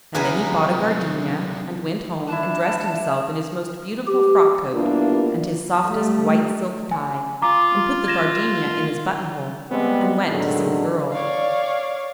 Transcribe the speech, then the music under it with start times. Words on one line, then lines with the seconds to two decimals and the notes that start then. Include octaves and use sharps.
And then he bought a gardenia, and went home and dressed himself in his most beautiful frock-coat and his softest white silk tie, and put the gardenia in his button-hole--and went to see the Girl.
0.15 E2 C3 F#3 B4 G#5 A#5
2.28 D4 E4 A5
4.07 G4
4.74 G3 A#3 B3 D4 E4 F4
5.85 G3 A3
6.91 G#5
7.42 F4 A#5 D6
8.07 G#6 A#6 E7
9.71 G3 G#3 B3 C4
10.30 A2 D3 D#3 F#3 G#3
11.11 C#5 D5 F5